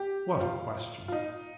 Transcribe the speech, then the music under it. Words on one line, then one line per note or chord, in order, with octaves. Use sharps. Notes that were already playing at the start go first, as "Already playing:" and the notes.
"What a question!"
Already playing: G4
F4
F4
D#4